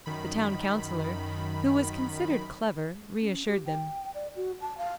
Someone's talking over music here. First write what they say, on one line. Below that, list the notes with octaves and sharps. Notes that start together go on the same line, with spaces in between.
The Town Counsellor, who was considered clever, reassured them.
F#2 D#3 B5
C#4
G4
G5
D5
F#4
A5
F5